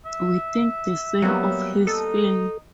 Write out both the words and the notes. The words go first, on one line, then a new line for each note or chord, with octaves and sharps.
We think the same of his film.
E5
F#3 G3 A#3 B3
D#4 A4